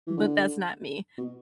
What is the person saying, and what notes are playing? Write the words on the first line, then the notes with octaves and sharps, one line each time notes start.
but that's not me,
E3
D3
B2